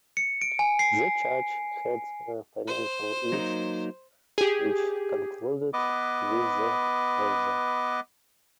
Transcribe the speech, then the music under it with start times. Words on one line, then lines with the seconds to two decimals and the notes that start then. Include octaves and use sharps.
The church had financial issues which concluded with the closure.
0.17 C#7
0.42 D7
0.59 G#5
0.79 C7
2.67 C5
3.32 F#3 A#3 D#4
4.38 G4 G#4
5.73 B3 B4 D#5 D6